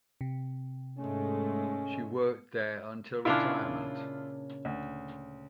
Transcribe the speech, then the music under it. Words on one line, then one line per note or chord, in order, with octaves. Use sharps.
She worked there until retirement.
C3
G#2 G#3 A3 C#4
A#2 C#3 D4 E4 F4
D2